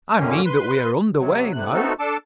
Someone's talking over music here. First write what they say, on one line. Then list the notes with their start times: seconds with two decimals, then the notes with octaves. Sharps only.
"I mean that we're under way now."
0.18 F#2 A#2 D3 D#3 A#3 C#4
0.45 B4 C6
1.19 C3 F#3
1.53 A2 C3 F#6
1.73 A3 B3 C4 D#4 F#4 A4
1.99 D4 A4 A5 D6